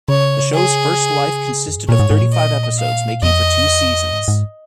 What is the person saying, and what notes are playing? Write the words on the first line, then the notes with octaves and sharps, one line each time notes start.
The show's first life consisted of thirty-five episodes, making for two seasons.
C#3 C#5
G#4
F2
G#2
A#2 C#5
G#2
G#2
A#2
D#5
F5
F2 D#5
G#2
G#2